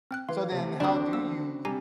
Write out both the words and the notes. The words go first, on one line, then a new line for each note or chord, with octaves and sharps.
So then how do you
C4 G5 F#6
E3 F5 C6
C3 A3
D2 C4 D4 F#4 D5 B5 D#6
A#3 B3 E6
C3 G3 G4 G#5 A#5